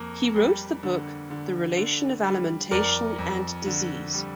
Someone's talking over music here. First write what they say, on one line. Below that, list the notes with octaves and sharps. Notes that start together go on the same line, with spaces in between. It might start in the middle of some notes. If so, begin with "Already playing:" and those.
He wrote the book "The Relation of Alimentation and Disease".
Already playing: F2 A#3
G3
D3
D3
D3
G3
F2 A#4 D5
F2
D3
G3